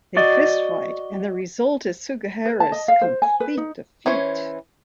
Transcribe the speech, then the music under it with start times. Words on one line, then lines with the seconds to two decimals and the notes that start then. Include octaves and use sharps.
They fistfight, and the result is Sugihara's complete defeat.
0.16 F#4 D5 D#5
2.46 B4
2.60 A5
2.72 D#5
2.88 F5
3.01 C5
3.22 G#5
3.40 B4
3.57 D#4
4.06 E3 C#4 C5 C#5